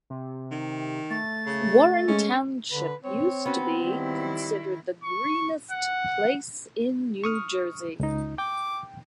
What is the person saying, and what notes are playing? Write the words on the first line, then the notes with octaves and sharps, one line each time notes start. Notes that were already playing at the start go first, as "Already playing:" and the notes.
Warren Township used to be considered the greenest place in New Jersey.
C3
D#3
A3 A6
C#3
G#3 C#4
D3 B4
C4 C#5
B3 C#4 F#4
D#3 G3 E4
C#6
F#5
C#6 D#6 F6
C#2 D#4
G5 D6